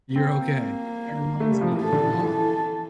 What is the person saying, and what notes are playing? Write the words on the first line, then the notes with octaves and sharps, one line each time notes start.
You're okay. That reminds me a lot
A#3 C4
A3
G3
F3
E3
E3 A4
D3
E3
F3
E3 A4